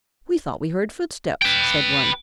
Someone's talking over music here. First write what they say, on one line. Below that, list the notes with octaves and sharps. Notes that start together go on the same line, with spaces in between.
"We thought we heard footsteps," said one.
B4 G5